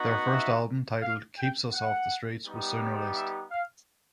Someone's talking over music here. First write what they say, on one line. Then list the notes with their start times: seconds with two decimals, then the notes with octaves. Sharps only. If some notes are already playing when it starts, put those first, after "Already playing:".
Their first album, titled "Keeps Us Off the Streets", was soon released.
Already playing: B3 D#4 F#4
0.32 E5
1.02 F5
1.38 G5
1.73 F#5
2.44 G3 B3 D#4 G4
3.15 E5
3.51 F5